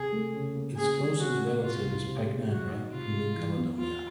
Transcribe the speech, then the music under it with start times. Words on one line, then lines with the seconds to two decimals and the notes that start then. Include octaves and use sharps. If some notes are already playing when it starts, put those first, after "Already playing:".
Its closest relative is "Pycnandra" from New Caledonia.
Already playing: C3 G#4
0.12 A3
0.34 C#3
0.54 A#3
0.76 C#3 G#4
0.99 G3
1.19 C#3 F#4
1.41 A3
1.62 C3 F4
1.84 C2
2.06 C3
2.27 G#3
2.49 F#3 F#4
2.70 D#4
2.92 C3 F4
3.14 G#3
3.35 E3
3.57 B3
3.78 F3 F4